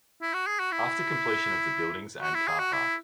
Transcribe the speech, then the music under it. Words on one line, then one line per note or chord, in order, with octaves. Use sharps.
After completion of the buildings and car park.
E4
F#4
G#4
F#4
E4
F#4
E4
G#4
F#4
E4